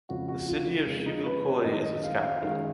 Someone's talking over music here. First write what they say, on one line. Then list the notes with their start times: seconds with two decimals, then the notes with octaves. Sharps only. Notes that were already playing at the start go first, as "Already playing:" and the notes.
The city of Chivilcoy is its capital.
0.09 F2 C#3 G#3 F#4
0.28 F#4
0.48 F4
0.87 F2 C#3 G#3
1.06 D#4
1.26 B4
1.45 C#5
1.59 C#5
1.64 F#2 D#3 G#3 D#5
1.84 D#5
2.03 F5
2.22 F5
2.42 F#2 D#3 G#3 F5